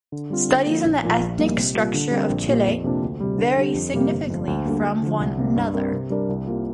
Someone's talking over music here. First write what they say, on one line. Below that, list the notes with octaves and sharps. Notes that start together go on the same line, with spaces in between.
Studies on the ethnic structure of Chile vary significantly from one another.
D3
G3 C4 F4
D3
F3 A#3
A#1
A#2 F3 A#3
A#1
A#2 G3 A#3
C3
G3 A#3 F4
D3
G3 C4 G4 A#4
A#1
A#2 F3 A#3 G4
F2
C3 A#3 D4 F4
D2
C3 G3
D3
G3 D4 G4
F2
C3 G3 A#3 G4
G1
F2 F3
D2
D3 G3 A#3
D2
D3 F3
C2
C3 A#3
G2
G3 C4 G4 A#4
C3
G3 D4 A#4 D5
C2
C3 A#3 F4